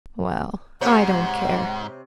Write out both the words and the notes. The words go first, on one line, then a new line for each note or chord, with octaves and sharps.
Well, I don't care.
G#2 C3 C5 C#5 F#5